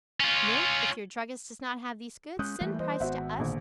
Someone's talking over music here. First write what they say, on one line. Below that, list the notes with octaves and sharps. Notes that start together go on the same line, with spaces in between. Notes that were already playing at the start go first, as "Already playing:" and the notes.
NOTE.--If your druggist does not have these goods, send price to us.
C#4 F4
G#3 C#4 D#6 F#6 G6
E3 G3 A3 A#3
C5 D#5
G#1 B3 F#4 E5 F#5
A#1 A#2 D3